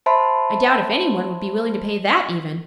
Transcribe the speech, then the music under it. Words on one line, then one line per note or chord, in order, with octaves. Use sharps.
I doubt if any one would be willing to pay that, even.
C5 E5 A5 B5 C6